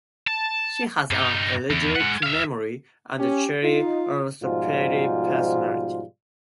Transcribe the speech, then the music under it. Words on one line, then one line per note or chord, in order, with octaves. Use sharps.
She has an eidetic memory, and a cheery, almost perky personality.
A5
G2 D#4
E2
G#3 F#5
E5 F5
C#4 G4
D#4 F4
G#2 B2 F3 G3 F4